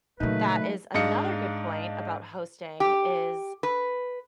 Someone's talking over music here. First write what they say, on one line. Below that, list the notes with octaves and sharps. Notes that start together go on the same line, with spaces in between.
that is another good point about hosting, is
A#2 C#3 F#3 A3 A#3 D#4 B4
G#2 D4 D#5 F5 C#7
G4
B4